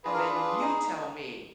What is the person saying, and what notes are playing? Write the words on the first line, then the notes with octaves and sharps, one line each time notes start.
and then you tell me
D4 F4 G#4 B4
A#4
B4
D4 F4 G#4
D#4 G#4